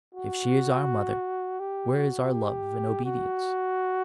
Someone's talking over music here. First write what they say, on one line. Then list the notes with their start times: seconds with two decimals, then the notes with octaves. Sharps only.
If she is our Mother, where is our love and obedience?
0.15 F#4
1.60 G4
1.96 F#4
2.32 G4
3.05 F#4